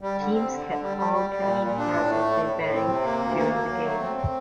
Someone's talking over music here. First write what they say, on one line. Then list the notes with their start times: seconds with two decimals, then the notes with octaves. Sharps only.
Teams kept all cash and prizes they banked during the game.
0.01 G3
0.18 D3
0.33 C4
0.50 D3
0.66 D3
0.81 G3
0.97 G3
1.13 G3
1.30 G3
1.45 A#2
1.62 A#2
1.78 D4
1.94 A2
2.09 A3
2.24 A2
2.41 A2
2.57 A2
2.73 C4
2.89 C3
3.04 A#3
3.21 D2
3.37 A#3
3.53 A#3
3.69 F#3
3.84 A3
4.00 C4
4.16 C4